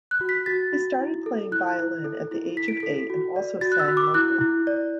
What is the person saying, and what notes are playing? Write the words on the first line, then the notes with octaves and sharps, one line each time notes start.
He started playing violin at the age of eight and also sang locally.
F#6
F#4
B6
F#4 A6
F#4
E4
A4
E4 F#6
E4
A4
E4
E4 B6
D7
A4 B6
F#4
D5
F#4 A6
F#6
E6
F#4
D6
E4 F#6
E4
D5